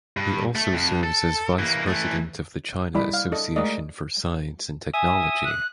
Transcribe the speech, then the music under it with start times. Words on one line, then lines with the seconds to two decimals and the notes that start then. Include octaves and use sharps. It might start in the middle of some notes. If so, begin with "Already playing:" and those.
He also serves as Vice President of the China Association for Science and Technology.
0.17 G2
0.55 A3
0.73 F2
1.03 A4
1.59 E3 A#3
1.88 E3 A3
2.95 G3 E4 D5 D#5 B5
3.14 F5
3.32 D4 A4 D#5
3.56 G#3 A3 A#4 D5 D#5
4.94 E5 G#5 D#6
5.45 F#6